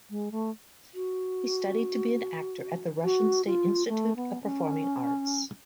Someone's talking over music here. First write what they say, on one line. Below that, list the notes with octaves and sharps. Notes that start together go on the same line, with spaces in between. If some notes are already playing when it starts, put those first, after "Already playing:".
He studied to be an actor at the "Russian State Institute of Performing Arts".
G#3
A3
F#4
F#4
F4
A3
B3
C#4